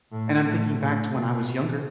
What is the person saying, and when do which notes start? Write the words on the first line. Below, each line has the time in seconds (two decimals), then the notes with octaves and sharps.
and I'm thinking back to when I was younger,
0.12 A2
0.46 A2
0.80 A2
1.14 B2